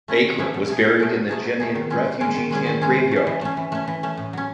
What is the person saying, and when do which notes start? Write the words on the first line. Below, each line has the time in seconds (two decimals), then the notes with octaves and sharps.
Akram was buried in the Jenin refugee camp graveyard.
0.08 A3 C#4 E4
0.23 D#3
0.38 A3 C#4 E4
0.54 B2
0.69 A3 D#4 G#4
0.84 B2
1.00 A3 D#4 G#4
1.14 B2
1.29 A3 D#4 G#4
1.45 B2
1.60 A3 D#4 G#4
1.75 D#3
1.90 G#3 C#4 G#4
2.05 D#3
2.20 G#3 C#4 G#4
2.35 D#3
2.51 G#3 C#4 G#4
2.66 D#3
2.81 G#3 C#4 G#4
2.96 E3
3.11 A3 C#4
3.27 E3
3.41 A3 C#4
3.57 E3
3.72 A3 C#4
3.87 E3
4.03 A3 C#4
4.17 A2
4.33 F#3 C#4